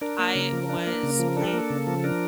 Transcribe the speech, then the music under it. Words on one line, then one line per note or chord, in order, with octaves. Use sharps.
I was planning
D4 A#4
A#3
C#3
F3
D4
A#3
C#3
F3
D4 A4
A#4
A#3 A4
C#3
F3
D4 A#4